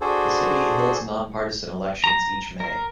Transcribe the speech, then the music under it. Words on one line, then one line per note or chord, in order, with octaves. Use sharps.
The city holds nonpartisan elections each May.
D4 F#4 G#4 A4 C5
A#5
A#4